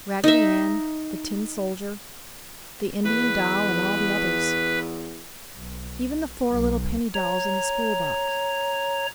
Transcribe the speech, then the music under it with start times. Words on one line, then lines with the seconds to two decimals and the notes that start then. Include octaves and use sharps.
Raggedy Ann, the tin soldier, the Indian doll and all the others--even the four little penny dolls in the spool box.
0.24 D#4 E5
3.04 E2 B4
5.57 B1
6.51 B1
7.14 C#5 A#5